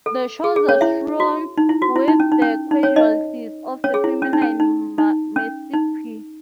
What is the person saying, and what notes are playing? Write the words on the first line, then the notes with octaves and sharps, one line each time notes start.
The shores are strewn with the casualties of the feminine mystique.
A4
G#4
G#4
C#4 C#5
E4 E5
F#4
D#4
E4
F#4
E4
D#4
C#4
D#4
C#4
D#4
C#4 C#5
D#4 D#5
C#4 C#5
G#4
E4
C#4
D#4
C#4
D#4
D#4
C#4
D#4